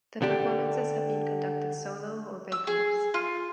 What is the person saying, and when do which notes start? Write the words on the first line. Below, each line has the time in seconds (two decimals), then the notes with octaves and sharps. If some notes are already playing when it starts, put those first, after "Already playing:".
The performances have been conducted solo or by groups.
0.22 D3 D4 G4
2.52 E6
2.67 G#4
3.14 F4